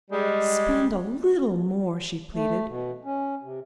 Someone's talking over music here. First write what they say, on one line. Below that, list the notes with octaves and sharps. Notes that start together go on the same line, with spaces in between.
"Spend a little more," she pleaded.
G3 G#3
A3
B2
C#4
C3